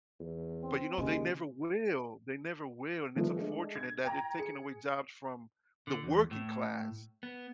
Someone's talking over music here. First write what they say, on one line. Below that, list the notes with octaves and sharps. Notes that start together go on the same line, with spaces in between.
but you know, they never will, they never will and it's unfortunate that they're taking away jobs from the working class
E2
C4
D#2 C#3 G#3
D#3 F3 G3 A3 B3
G#3 A3 D4
G#6
G5 A#5
G#4 C#7
D3
E2
A2
B3